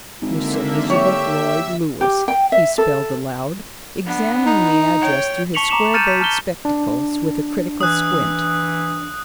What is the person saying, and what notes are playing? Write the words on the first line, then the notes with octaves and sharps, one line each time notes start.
"Miss Elizabeth Lloyd Lewis," he spelled aloud, examining the address through his square-bowed spectacles with a critical squint.
G#1 D3 A#3 E5
G4 C#5 E5 E6
G4
G5
E5
A4
B3 D4
D#4
C#5 G5
A5 C#6 B6 C#7 F7 F#7
A#5 D6 E7
F6 G6 A6 C#7 D#7 E7
B6
A5 F6 G7
D4
E3 D#6 F#6